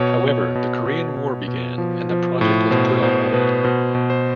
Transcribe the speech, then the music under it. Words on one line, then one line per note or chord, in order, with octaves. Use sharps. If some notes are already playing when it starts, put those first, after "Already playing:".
However the Korean War began and the project was put on hold.
Already playing: B2 C#5
B2
B2
B2
B2
B2
F3
F3
A2
B2 C5
B2 C5
B2 B4
B2 C5
B2
C5